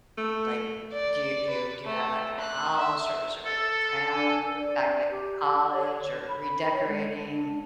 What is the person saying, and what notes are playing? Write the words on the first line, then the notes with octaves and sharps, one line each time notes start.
like do do do you have like a house or is there like crafts or back to college or redecorating?
A3
D5
B4
A3
F#6
E5
A4 A6
D4 G#5
D5
G4
C#5
B5
C#5
G#3
D4